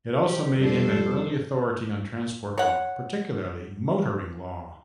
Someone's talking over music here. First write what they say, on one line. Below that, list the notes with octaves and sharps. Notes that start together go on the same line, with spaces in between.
It also made him an early authority on transport law, particularly motoring law.
G4 C5
F2 G3 D4 A4 C5
C#5 F#5